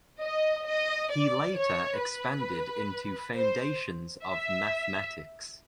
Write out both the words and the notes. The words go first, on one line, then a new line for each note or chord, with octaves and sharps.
He later expanded into foundations of mathematics.
D#5
D#5
D5
C#5
B4
C5
E5